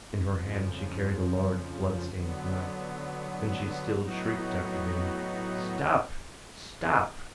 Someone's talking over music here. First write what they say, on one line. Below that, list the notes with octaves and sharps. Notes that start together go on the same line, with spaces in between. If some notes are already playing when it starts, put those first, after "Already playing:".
In her hand she carried a large blood-stained knife, and she still shrieked after him, "Stop! stop!"
F2 C#3 F3
D3 F#3 B3
A2 F#3 B3 D#4 F#4